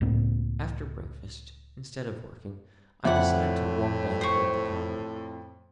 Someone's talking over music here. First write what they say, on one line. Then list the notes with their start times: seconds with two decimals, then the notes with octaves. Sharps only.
After breakfast, instead of working, I decided to walk down towards the common.
0.01 C#2 A2 A#3 C4
3.05 F2 A2 E4 D5 F#5
4.21 C5 C#6